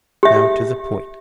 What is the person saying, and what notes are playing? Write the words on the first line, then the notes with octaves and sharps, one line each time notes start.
Now, to the point.
G4 E5